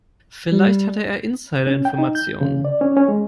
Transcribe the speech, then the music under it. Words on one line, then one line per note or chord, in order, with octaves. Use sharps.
Vielleicht hatte er Insiderinformationen.
G3
C#4
G5
D#4
G6
C#3
D5
C#4
C#4
G#3